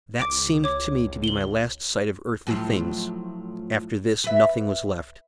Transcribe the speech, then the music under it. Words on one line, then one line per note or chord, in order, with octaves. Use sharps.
That seemed to me to be my last sight of earthly things. After this nothing was left.
C#2 D6 D7
C#5 D6
F#7 G7
A2 F3 F#3
B4 E5